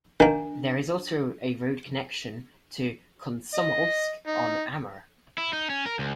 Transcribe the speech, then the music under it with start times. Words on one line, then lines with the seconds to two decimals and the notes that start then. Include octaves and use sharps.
There is also a road connection to Komsomolsk-on-Amur.
0.20 D#3 A#3 D4
3.54 D#5
4.27 D#4
5.38 E4
5.53 D#4
5.70 C#4
5.86 A#4
5.99 C#2